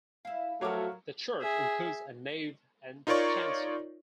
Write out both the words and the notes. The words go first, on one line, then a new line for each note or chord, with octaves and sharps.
The church includes a nave and chancel.
E4 F5
F3 F#3 A3 F4 F#4 A#4 C#5 D6
G#4 E5
D#4 F4 A#4 C#5 D5 C#6